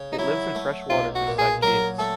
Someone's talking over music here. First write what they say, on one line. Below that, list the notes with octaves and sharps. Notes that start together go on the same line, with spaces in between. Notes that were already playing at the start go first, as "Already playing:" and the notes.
It lives in fresh waters inside caves.
Already playing: C#3
D#4
F#3 E4
A3
B1 F4
F#4
A#2
G#4
F#3 A#4
A3 A4